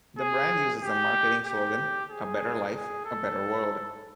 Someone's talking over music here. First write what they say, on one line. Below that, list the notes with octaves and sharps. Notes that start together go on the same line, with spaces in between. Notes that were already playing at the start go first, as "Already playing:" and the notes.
The brand uses the marketing slogan "A Better Life, A Better World".
G#4
G4
G4
G#4
G#4
A4